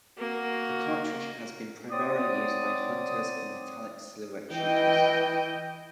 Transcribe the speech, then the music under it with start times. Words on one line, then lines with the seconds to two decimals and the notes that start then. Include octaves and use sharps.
The cartridge has been primarily used by hunters and metallic silhouette shooters.
0.18 A#3 F#4
1.91 F#3 C4 D5 D6 D#6
4.52 E3 D#5 G5